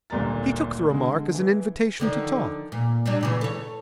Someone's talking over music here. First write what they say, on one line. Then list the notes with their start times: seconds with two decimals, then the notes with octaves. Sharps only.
He took the remark as an invitation to talk.
0.10 G#1 D2 A#2 G3 A#5 A6
0.90 D3 G#3
1.34 E3
2.00 D3 D#3 F3
2.72 A#2
3.06 F#3 G3 D4
3.21 A#2 C#3 E3
3.41 A4 C#5